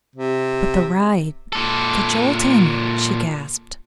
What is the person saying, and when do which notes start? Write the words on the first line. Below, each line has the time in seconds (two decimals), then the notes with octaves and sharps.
"But the ride--the jolting," she gasped.
0.16 C3
1.53 A#2 A4